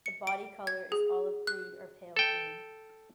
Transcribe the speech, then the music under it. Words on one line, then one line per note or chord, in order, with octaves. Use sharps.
The body colour is olive green or pale green.
C#7
D7
G#6
G#4
F#6
A4 G5